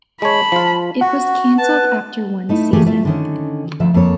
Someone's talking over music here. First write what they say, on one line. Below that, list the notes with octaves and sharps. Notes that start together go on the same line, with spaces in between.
It was canceled after one season.
G#3 C#5 A5 B5
F3 F4
F#4 F#5
B4 A5
A3 D#4 E4
D3 E3 A3 A#3 G4 G#4
A3 F4 E5
D3 D#3 C#4
D2 D3 F3 E5
F2 A#3 A4 C#5